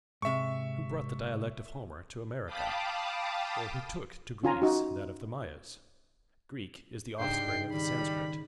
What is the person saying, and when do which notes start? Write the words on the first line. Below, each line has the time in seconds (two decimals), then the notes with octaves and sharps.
Who brought the dialect of Homer to America? or who took to Greece that of the Mayas? Greek is the offspring of the Sanscrit.
0.22 G#2 C3 E5 C#6
2.46 F5 G5 A5 B5 D6 D#6
4.43 C#4 F4 G#5 A#5
4.62 D#4 F#4
7.19 G#2 C#3 G3 D4 D#4 C5 G5 C7
7.73 D#3 G3 B5